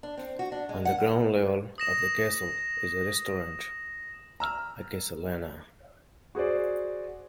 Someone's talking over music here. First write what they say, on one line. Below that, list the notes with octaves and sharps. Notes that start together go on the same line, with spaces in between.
On the ground level of the castle is a restaurant "A Castellana".
D4
C4
F#4
D4
G#3
F#5
D#6 A#6 E7
A#5 E6 F6
F#4 G#4 C5 D5